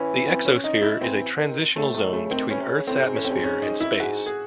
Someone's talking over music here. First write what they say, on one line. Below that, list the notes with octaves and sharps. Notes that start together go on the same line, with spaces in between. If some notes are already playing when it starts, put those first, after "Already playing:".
The exosphere is a transitional zone between Earth's atmosphere and space.
Already playing: E3 C#4
C4
C#4
D#4
E4
E3 C4
D#3
C#3 A3
A2
C3 A3
D#3
C#3 A3
C#3
D#3 C4
E3 C#4
C3
C#3
A2 C4
G#2
A2 C#4
C4
G#2
C#4
D#4
E4
G#2 F#4
G#4